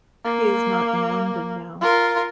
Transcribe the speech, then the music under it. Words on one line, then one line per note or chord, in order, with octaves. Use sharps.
He is not in London now.
A#3
F4 A#4